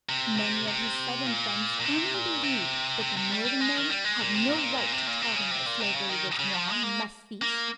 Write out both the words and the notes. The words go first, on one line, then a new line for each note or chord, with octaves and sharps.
Many of his southern friends firmly believed that the northern men had no right to tell them that slavery was wrong and must cease.
C3
C3
C3
A#2
A#2
C3
A#2
C3
C3
C3
G3
G3
G#3
D#3
G3
G#3
A#2
C3
A#2
C3
A#2
A#2
C3
A#2
C3
C#3
C3
A#2
C3
C#3
D#3
C#3
F3
G#3
A#3
A#3